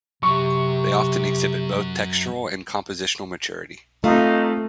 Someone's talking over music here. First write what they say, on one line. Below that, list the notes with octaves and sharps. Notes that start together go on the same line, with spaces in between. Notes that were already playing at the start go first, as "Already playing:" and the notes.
They often exhibit both textural and compositional maturity.
F#2 C3 F#3 C#6
A3 C4 D#4 F4